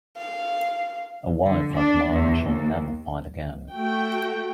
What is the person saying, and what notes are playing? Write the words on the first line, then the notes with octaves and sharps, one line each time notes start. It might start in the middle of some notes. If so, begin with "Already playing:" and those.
A wife like mine I shall never find again.
F5
D3
D4
E2
D#2
A3 F#4 G5